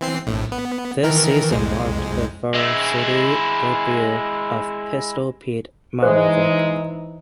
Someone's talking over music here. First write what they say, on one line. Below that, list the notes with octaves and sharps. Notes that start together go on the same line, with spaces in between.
This season marked the varsity debut of "Pistol" Pete Maravich.
E3 C4 C7
A#1 A2
B3
D#3 E3 A#4
C2 F2 G#3
G#3 E4
E3 G#3 D#4 C5